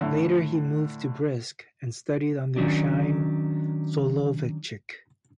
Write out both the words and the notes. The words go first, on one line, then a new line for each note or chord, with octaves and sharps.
Later he moved to Brisk and studied under Chaim Soloveitchik.
A2 D3
D#3 F#3 C#4 D4